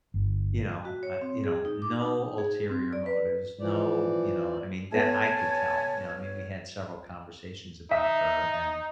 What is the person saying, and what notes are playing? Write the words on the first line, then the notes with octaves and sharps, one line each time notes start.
you know, I you know no ulterior motives. No, you know, I mean, that I could tell, you know? I mean, we had several conversations about her, and
G1
F#4
C#5
C4
G#4
D#4
D6
D#4
G#4
C4
D5
B4
E3 F3 D5
A3 B3 C#5 G#5 A5
D#4 E5